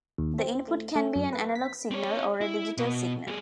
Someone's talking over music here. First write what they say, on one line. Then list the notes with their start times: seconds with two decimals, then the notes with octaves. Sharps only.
The input can be an analog signal or a digital signal.
0.18 D#2
0.39 C4
0.68 A3
0.96 A3
1.16 F#2
1.33 B4
1.55 B6
1.91 C4 C#5
2.41 E4
2.78 B2
3.28 G3 G#4